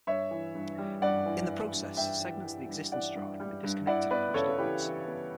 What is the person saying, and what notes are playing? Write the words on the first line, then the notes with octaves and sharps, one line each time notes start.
In the process, segments of the existing strata can be disconnected and pushed upwards.
G2 C#5 E5
E3
G2
G3
G2 D5 F#5
E3
E3
G2
G2 E5 G5
E3
E3
G2
E3 D5 F#5
G2
G3
G2
E4 D5 F#5
B3 B4 D5
C#3 A4 C#5
E3 G4 B4
E3
B3